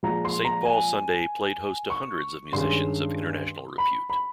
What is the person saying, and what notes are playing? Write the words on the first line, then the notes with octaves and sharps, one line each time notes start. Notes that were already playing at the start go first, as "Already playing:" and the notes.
"Saint Paul Sunday" played host to hundreds of musicians of international repute.
A#2 F3 G#3 A#5
C6
A#5
G#5
C#6
G2 D#3 G#3 C#4 C6
B5
B5